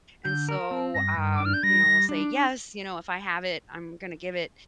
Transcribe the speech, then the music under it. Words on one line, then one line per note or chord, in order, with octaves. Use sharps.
and so, um, you know, we'll say, yes, you know, if I have it, I'm gonna give it,
D3 G6
A#4
C4
G2 A#6
G2
D6
D4
F6
G6
G3 A#6
G3
D4